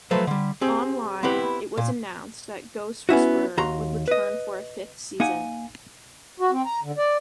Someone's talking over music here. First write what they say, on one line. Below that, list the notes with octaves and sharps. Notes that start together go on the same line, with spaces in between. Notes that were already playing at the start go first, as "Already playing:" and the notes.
Online, it was announced that "Ghost Whisperer" would return for a fifth season.
F3 F#3 A3 B4 C5
D3 G3
C4 G4 G#4
B3 C4 E4 G4 B4 G5
A#2
B3 C#4 E4 F#4
D#2 F#4 A#5 C6
B4 D#5
A#3 D#4 F#5 G#5
F#4
C4
A#5
D3
D5